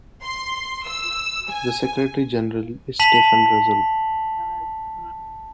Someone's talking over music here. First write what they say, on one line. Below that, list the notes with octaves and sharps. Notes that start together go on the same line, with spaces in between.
The Secretary-General is Stephen Russell.
C6
E6
G#5
A5 B6 F7 F#7